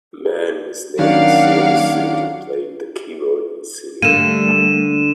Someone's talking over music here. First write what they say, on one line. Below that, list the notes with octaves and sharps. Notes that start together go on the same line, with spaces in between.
A man in a snazzy silver suit is playing the keyboard and singing.
D#3 F#3 A#3 C#4 D4 F5 F#5 D6
D3 G3 A3 A#3 D#7 E7